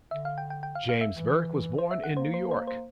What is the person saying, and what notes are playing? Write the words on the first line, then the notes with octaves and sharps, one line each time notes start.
James Burke was born in New York.
D3 E5
F5
G5
G5
G5
F5
F5
E5
E3
C5
E5
F#5
A#3 C5
C5
C5
C5